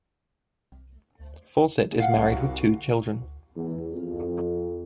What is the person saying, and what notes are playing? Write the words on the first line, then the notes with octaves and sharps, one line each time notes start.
Fawcett is married with two children.
F5 F#5
C2
F#4
E2
F2